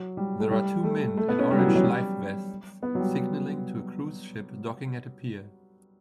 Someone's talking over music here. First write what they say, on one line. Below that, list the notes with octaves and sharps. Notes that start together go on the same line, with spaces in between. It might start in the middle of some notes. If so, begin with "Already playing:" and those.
There are two men in orange life vests signaling to a cruise ship docking at a pier.
Already playing: F#3
G3
A3
G3
A3
A3
B3
C#4
G3
F#3
E3
F#3
G3
B3
F#3
G3